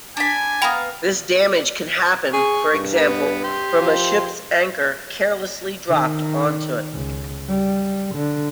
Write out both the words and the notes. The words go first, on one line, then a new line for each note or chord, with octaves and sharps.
This damage can happen, for example, from a ship's anchor carelessly dropped onto it.
D4 G#5 B5
B3 F5 G5 A#5 B5
G#4 C#6
G2
B3
G4 C6
F3
D#3
C#2
G3
D3